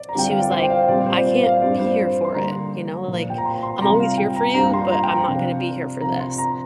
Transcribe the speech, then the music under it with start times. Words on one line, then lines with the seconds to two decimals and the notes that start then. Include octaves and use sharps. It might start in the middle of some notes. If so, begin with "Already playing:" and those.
she was like, "I can't be here for it." You know, like, "I'm always here for you, but I'm not gonna be here for this."
Already playing: D5
0.09 A#5
0.15 D3 G3 C4 F4 G5
0.30 F5
0.41 D5
0.51 C5
0.63 G5
0.70 F5
0.88 A#2 G3 C4 F4 D5
1.06 C5
1.25 D5
1.43 F5
1.61 G2 G3 C4 F4 D5
1.79 C5
2.25 C6
2.35 D3 G3 A#3 A#5
3.08 A#2 F3 A#3 F4
3.30 G5
3.38 A#5
3.45 C6
3.63 C6
3.81 C3 G3 C4 F4 A#5
3.99 F5
4.18 G5
4.36 A#5
4.50 G5
4.54 G2 G3 A#3 F4 A#5
4.73 C6
4.91 A#5
5.03 G5
5.10 A#5
5.28 C3 F3 D4 F4
6.01 C3 F3 D4 A#5
6.20 C6
6.38 A#5